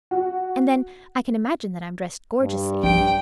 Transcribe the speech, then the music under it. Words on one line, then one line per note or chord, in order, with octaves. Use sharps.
And then I can imagine that I'm dressed gorgeously.
F#4
G2
A#1 G5 D7